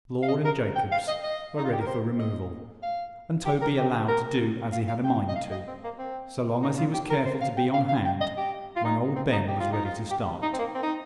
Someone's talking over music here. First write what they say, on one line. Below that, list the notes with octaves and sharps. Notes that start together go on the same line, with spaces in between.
Lord and Jacobs were ready for removal, and Toby allowed to do as he had a mind to, so long as he was careful to be on hand when Old Ben was ready to start.
F5
D#5
A#4
G5
F5
D#5
D#5
D#4
F4
G4
A#4
C5
D#5
F5
G4
A#4
G4
A#4
F5
F5
G5
D#5
F5
D#5
C4
A#3
C4
D#4
F4
G4
A#4
C5
F5
G5
F5
F5
G5
D#5
G4
F4
D#4
C4
D#4
G4
F4
D#4
F4
G4
D#4
C4
A#3
C4
D#4